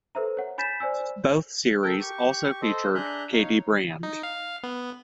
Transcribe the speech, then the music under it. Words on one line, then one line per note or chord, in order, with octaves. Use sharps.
Both series also featured Katy Brand.
A4 B4 C5 E5 A#5
C#5 F#5
G#5 B5 G6 A6 B6 E7
C5 D5 G#5 E6
A4 A#4 G5
G4 C#6
A4 C5 D#5
D4 G#4 E5 A#5 F#6 G6
D#4 C#5 F5
D#4
F5
B3